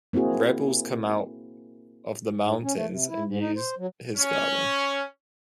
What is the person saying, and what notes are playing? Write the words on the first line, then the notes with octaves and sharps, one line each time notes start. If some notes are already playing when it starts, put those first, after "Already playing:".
Rebels come out of the mountains and use his garden.
A#3 C4 E4 F#4 G#4
G#2
C#4
A3
C3
E4
G#2
D#4
C5
F#3
C#4